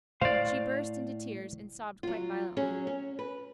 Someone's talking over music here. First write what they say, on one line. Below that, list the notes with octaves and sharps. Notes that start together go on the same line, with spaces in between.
She burst into tears, and sobbed quite violently.
A2 C5 D5 F5 C6
F#3 F4
F#3 C#4 G#4
C#4
B4